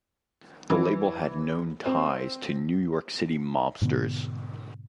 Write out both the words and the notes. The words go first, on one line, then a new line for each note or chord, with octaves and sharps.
The label had known ties to New York City mobsters.
E3
C4
G#2 B2 D3 B3